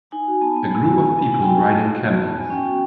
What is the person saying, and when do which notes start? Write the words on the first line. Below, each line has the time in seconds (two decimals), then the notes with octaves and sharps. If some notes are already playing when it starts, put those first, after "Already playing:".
A group of people riding camels.
0.12 D#4 G#5
0.27 F#4
0.41 B3 A5
0.56 B3
0.71 D#4 G#5
0.86 F#4
1.02 B3
1.17 B3
1.31 D#4 G#5
1.41 G5
1.46 F#4 G#5
1.61 B3 A5
1.76 B3
1.91 D#4
2.05 F#4 A5
2.20 B3 A5
2.35 B3 G#5
2.50 C#4 G5
2.65 F#4